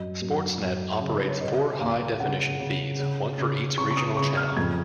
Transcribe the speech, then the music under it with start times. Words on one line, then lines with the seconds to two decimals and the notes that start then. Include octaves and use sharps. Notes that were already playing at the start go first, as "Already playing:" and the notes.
Sportsnet operates four high-definition feeds, one for each regional channel.
Already playing: F#2 D#5
0.22 F#2
0.62 F#2
1.01 C#3
1.16 B4
1.28 C#5
1.41 C#3 D#5
1.80 D#2 F5
2.20 C#3 F#5
2.60 C#3
2.99 C#3
3.38 C#3
3.78 C#3 C#6
3.91 C#6
3.97 D#6
4.17 C#3 C#6
4.37 F6
4.57 F2 G#6